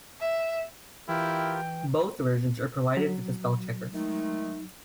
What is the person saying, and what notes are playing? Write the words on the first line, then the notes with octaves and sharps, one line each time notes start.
Both versions are provided with a spell checker.
E5
E3 E4 F4 G4 A#4 G5
F#3
D#3 G#3 A3 D#4